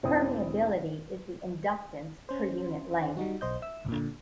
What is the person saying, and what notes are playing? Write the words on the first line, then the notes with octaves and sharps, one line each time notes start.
Permeability is the inductance per unit length.
E1 C4 E4 G5 D#6
C#4 C5
G3 D#4 F#4
B1 C5 D#5 G6
E5 E6
A#2 D3